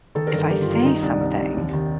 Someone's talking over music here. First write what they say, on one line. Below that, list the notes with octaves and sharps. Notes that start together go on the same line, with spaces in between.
"If I say something,
D#3 A4
A#4
G1
A4
G1 G4
F4
G2
F4
D#3 D#4
D#4
C2 D4
C2
C3
D#2
D#3